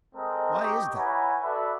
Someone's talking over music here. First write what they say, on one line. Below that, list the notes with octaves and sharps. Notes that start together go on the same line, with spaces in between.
Why is that?
G#3 C4 A4 A#4 D#5
D#4 G4 D#5 G5 C#6
E4 B4 C#5 F#5 G#5 A#5
F#4 A4 B4 D5 E5